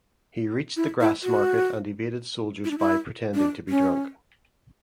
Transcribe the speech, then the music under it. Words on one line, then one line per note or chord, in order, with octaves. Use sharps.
He reached the Grassmarket and evaded soldiers by pretending to be drunk.
E4
E4
F#4
E4
D4
E4
D4
C#4